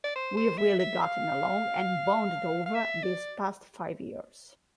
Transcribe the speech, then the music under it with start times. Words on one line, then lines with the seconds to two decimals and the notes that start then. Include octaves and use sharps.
We've really gotten along and bonded over these past five years.
0.04 D5
0.15 C5
0.37 C5
0.58 E5
0.80 E5
1.02 F5
2.66 F5
2.74 E5
3.03 D5